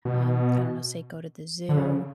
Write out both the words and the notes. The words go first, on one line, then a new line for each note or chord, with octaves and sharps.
um, I don't know, say go to the zoo
B2
D3
C#3